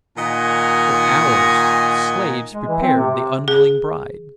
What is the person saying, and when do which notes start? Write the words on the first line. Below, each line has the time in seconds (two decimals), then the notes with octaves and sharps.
For hours slaves prepared the unwilling bride.
0.17 A#2 D#3 D#5 F#5 G#5 A#5
2.53 G#3
2.68 E3
2.81 C4
2.97 C3
3.10 C3
3.48 G#4